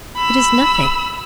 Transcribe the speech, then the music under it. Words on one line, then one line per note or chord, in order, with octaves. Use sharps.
"It is nothing."
B5 E6